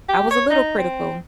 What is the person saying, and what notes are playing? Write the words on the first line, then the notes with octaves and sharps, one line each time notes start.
I was a little critical,
G4
C#5
D#4
C4